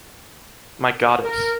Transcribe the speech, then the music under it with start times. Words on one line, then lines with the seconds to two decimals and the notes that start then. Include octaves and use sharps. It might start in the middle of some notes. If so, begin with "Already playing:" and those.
My goddess.
1.24 A#4